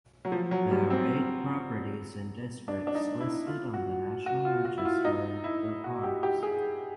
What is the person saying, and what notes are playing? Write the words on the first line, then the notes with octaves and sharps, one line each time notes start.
There are eight properties and districts listed on the National Register in the parks.
F#3
F3
F#3
G3
C4
D4
D4
D#4
E4
F4
F#4
F#4
F4
F#4
E4
F4
D#4
E4
F#4
G4
G4
G#4